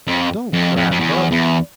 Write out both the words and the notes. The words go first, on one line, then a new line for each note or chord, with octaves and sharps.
Don't cry, bub.
F2
F2
F2
F2
E2
E2